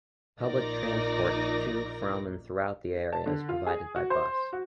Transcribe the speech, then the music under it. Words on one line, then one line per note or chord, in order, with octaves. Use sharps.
Public transport to, from and throughout the area is provided by bus.
A#1 D#4 F4 A#4 D5 A#6
A5
D3
F4
G#4
F#4
C5
F#4